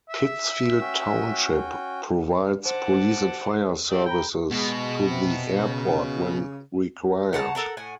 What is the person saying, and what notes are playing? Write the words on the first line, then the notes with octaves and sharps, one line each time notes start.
Pittsfield Township provides police and fire services to the airport when required.
E5
C#4 F#4 G5
C5 F#5 A5 D6
C4 G4 D5
G5 A#5 B5 G6
B2 G#3
C3
C#3
C#3 F#5 A5 A#5
A4 A#4 F#5
A2 F#5 G#5